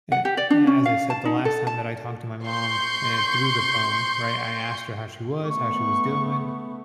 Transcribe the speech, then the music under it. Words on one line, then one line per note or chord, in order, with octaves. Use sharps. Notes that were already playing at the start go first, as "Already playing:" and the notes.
eh, a as I said the last time that I talked to my mom and through the phone, right, I asked her how she was, how she was doing,
F#5
G4
D5
D4
C#4
F5
A5
D#4
A4
A5
C6 C#6 G6
A3 B3 C#6